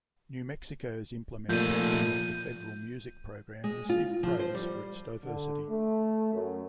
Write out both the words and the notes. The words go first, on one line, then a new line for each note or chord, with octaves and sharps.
New Mexico's implementation of the Federal Music Program received praise for its diversity.
A#2 F3 A3 G6 D#7
G#3
F4
F3
C5
G3
D3
A3
F#2